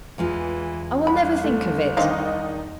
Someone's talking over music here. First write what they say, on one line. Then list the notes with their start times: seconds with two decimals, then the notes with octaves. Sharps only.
I will never think of it.
0.18 E2 E3 G#3 F4
1.07 C2 B5
1.44 A3
1.97 D#3 C4 D4 D#4 D5 F5